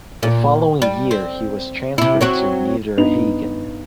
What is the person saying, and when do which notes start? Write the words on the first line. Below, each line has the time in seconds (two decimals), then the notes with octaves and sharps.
The following year he was transferred to Niederhagen.
0.23 A#2
0.82 G3
1.11 C4
1.98 C3 E4
2.21 F#3 C4 F#4
2.97 G2 B3 D#4 F7